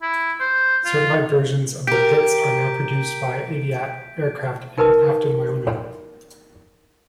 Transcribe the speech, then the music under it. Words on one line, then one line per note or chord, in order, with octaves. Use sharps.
Certified versions of the Pitts are now produced by Aviat Aircraft in Afton, Wyoming.
E4
C5
F4
G4 A#4 G6 B6 D7
D#4 A#4 B4 A5 D#6